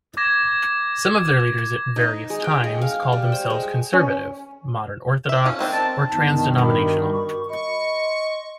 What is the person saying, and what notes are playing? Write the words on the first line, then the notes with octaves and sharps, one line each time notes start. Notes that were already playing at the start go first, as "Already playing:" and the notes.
Some of their leaders at various times called themselves Conservative, Modern Orthodox or trans-denominational.
D6 G#6 A#6 E7
D#4
G#3
G5
G#3
F5
G3
C5
G#3
C#4
E5
F3 C#4
D#3 C4 D4
A5
G2 D#3 B3 D#4 A5
F#4 A#4 B5 D6
C#6
D#5 B5 C#6
C6